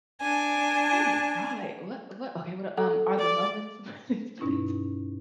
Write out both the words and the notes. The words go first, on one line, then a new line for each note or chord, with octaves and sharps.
Alright. What what Okay, what, u um, are the moments when it's better to
D4 G#5
A4
D5
G2 B2 C#4 D#4 E4